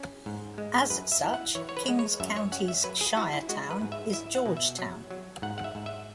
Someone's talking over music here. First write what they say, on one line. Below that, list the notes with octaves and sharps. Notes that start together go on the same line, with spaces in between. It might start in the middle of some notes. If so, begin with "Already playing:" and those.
As such, Kings County's shire town is Georgetown.
Already playing: C#4
G#2
G#3
F#2 B4
E5
E4
F#5
E3 C#5
C#5
B4
G#3
C#5
F#2 E5
C#5
C#4 F#5
E5
F#3 B4
G#4
E4 F#4
E4
G#3 F#4
B4
G#2
E5
E4 E5
F#5
B2
E5
F#3
F#3
G#2 F#5
F#5
E5
G#2
E5